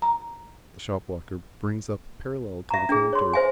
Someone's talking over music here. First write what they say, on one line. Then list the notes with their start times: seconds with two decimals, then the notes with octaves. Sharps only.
The shop-walker brings up parallel to the counter.
0.02 A#5
2.71 E5 A#5
2.89 D4 G#4
3.13 C#5 C6
3.33 C5 E5 G#5